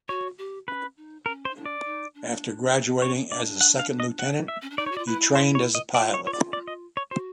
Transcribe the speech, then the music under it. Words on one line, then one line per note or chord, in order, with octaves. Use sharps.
After graduating as a second lieutenant, he trained as a pilot.
F#4 C#5
G4
C#4 B4
D#4
C#4 A#4
C5
D#4
D4
D5
D#4
D4
C#4 C#5
D4 D5
F#5
F5
D#5
F#5
E5
C#4
D4
D#4 D5
C#5
F#4
F4 D5
E4 B4
C5
C#5
D#5
F4 D5
C#5
F4 C#5
D5
D5
D#5
C#5
F#4 C5